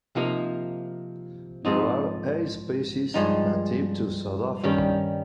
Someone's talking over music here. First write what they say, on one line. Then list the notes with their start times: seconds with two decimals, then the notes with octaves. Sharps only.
There are eight species native to South Africa.
0.15 C3 F3 A#3 D#4
1.65 G#2 F3 C4 D#4
3.14 G2 F3 G#3 D#4
4.63 G2 D#3 G3 C#4 G4